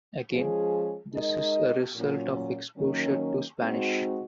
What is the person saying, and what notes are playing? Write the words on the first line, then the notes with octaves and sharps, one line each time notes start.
Again, this is a result of exposure to Spanish.
F3 G#3 C#4 G#4
G#3 D#4 A#4 D#5
A#2 F#3 C#4
D#3 F#3 A#3 C#4
G#3 C4 D#4 F#4